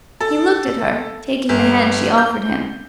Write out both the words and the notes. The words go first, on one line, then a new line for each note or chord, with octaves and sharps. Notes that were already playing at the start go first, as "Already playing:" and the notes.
He looked at her, taking the hand she offered him.
A4
G1
G6